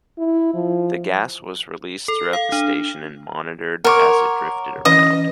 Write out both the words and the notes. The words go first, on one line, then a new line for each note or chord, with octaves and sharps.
The gas was released throughout the station, and monitored as it drifted around.
E4
F3
A4
F5
D4
A#4 C#5 F#5 C6 D6
E3 C#4 B4 D#5 D#6